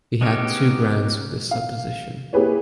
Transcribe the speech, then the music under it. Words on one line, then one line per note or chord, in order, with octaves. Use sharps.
He had two grounds for this supposition.
G#3 B3 C#4 D#4 G4
F5
A#3 E4 G4 G#4 B4 C#5